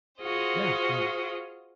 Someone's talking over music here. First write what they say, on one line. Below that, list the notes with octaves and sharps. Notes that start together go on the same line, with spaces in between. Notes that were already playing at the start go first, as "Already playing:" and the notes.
Yeah, yeah.
F4 F#4 G#4 C5 D#5